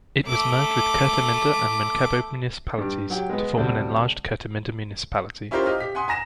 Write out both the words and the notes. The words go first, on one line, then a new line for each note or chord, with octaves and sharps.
It was merged with Kerteminde and Munkebo municipalities to form an enlarged Kerteminde municipality.
A3 D6
G2 G4
F#3 G4 G5
G#3 B3
D2 B2 G3 C4
C#4 E4 F4 G4 A#4 C5
G4 D#5 F5
G4 B6
F#5 G#5 C6 D#6
G#5 A#5 A#6 E7